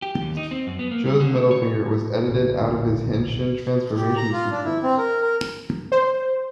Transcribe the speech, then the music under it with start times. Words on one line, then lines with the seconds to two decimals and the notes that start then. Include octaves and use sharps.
Joe's middle finger was edited out in his henshin transformation sequence.
0.02 G4
0.22 D#2
0.37 D#4
0.51 C4
0.67 F#2
0.79 B3
0.91 A#3
1.06 G3
1.20 D3
1.35 A3
1.51 C#5
2.29 E1 A#1 A#2 D3
3.97 G4
4.17 A#5
4.33 F4
4.51 D4
4.64 E4
4.83 C4
4.98 A#4
5.21 A#4
5.92 C5